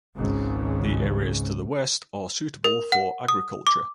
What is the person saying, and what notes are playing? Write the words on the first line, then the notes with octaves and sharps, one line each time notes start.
The areas to the west are suitable for agriculture.
G#1 C#2 G#2 C#3
A#4
F#5
D#6
D6